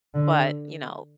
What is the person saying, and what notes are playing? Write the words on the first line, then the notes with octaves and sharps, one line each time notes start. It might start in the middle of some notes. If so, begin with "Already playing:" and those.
but, you know
D3